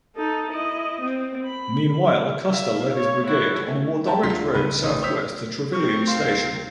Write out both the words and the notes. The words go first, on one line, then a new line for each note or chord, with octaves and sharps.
Meanwhile, Custer led his brigade on a more direct road southwest to Trevilian Station.
D#4 A4
E4 D#5
C4
B5
E5 F5
C#5
E4 F#4
A3 C#4
E5 G5 A5 A#5
D2 D3 F4 C6 B6
G1 C#2 B4
A1 D#6
C5 C#5 D#6 E6 B6
C4 A#4 C#6
D#2 F5 C6